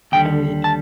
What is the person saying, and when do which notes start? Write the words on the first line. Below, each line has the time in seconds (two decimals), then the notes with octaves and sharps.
Oh ye
0.12 D#2 D3 G3 G5
0.64 A5